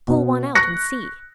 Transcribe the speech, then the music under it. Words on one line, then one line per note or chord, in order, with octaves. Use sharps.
"Pull one out and see!"
B2
C#6 F#6 A#6 C#7